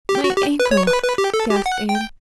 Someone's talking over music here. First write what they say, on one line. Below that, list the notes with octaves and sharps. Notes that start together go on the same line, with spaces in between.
"My ankle," gasped Anne.
G4
F#4
G4
B4
C#5
B4
B4
G4
A4
G4
F#5
G5